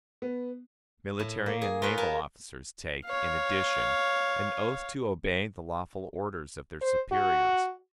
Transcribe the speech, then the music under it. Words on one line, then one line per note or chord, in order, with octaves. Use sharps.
Military and naval officers take, in addition, an oath to obey the lawful orders of their superiors.
B3
A2
A#3
G#4
F4 A#4 B4 C#5
A#4 G#5 A5
C#5 F5
C5
F#4